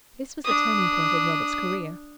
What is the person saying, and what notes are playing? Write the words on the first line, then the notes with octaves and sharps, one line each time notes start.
This was a turning point in Roberts' career.
D4 D#6